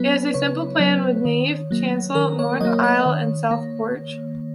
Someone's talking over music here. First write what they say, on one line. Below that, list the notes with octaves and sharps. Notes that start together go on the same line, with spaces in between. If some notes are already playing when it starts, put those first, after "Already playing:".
It has a simple plan with nave, chancel, north aisle and south porch.
Already playing: F#3 B3 B4
C#3 C#5
F#3 B3
D#3
F#3 A#3
D#3 A#4
C#5
F#3 A#3 D#5
C#5
D#3
A#3